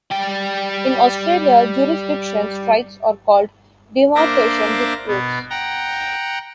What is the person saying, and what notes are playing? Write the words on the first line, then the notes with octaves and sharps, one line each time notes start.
In Australia, jurisdiction strikes are called demarcation disputes.
G3 G5
A#3 D4 C5 E5 D6 A#6
B2 B3
F#5 G5 A#5